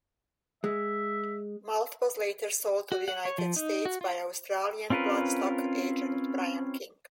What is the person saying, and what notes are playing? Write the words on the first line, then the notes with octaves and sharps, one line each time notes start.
Malt was later sold to the United States by Australian Bloodstock agent Brian King.
G#3 E5
F#4
F#5
C#5
F3
D#4
F#4
F4
C4 C#4 F4 A#4 B4